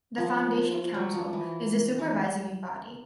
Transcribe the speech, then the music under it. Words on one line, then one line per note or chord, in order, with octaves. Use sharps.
The Foundation Council is the supervisory body.
F3
F#3
F3
E3
E3